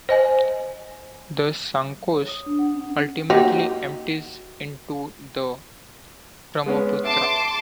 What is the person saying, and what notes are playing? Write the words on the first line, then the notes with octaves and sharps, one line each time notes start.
The Sankosh ultimately empties into the Brahmaputra.
C5 D#5 G#5
C#5
D#6
D4
F#5
C#4
A#3 D#4 F#4 G4
G#3 B3 C#4
E5 A5 C6 D6